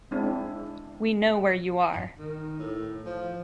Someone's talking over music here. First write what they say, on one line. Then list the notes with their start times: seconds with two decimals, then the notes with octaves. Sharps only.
We know where you are.
0.11 G#3 C4 D4 E4
2.18 D#3
2.59 A2
3.06 F3